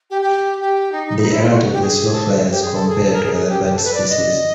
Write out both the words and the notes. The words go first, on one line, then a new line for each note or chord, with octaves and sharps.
They are relatively slow flyers compared to other bat species.
G4
G4
G4
D#4
D#4
E4
D#4
E4
F4
F#4
G4
G#4
A4
G4
G#4
A4
G#4
A4
A#4
G#4
G#4
G4
G4
A4
B4
D5
D#5